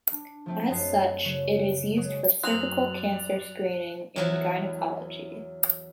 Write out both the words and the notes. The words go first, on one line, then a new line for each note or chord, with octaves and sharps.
As such, it is used for cervical cancer screening in gynecology.
D4
F3 A3 C4
F#2 D#5 A6 C7
C#3 F#3
F#3 G#3
F#2 C4 G#4 A#4 D5 F#6 F7 F#7
E2 F#3 E4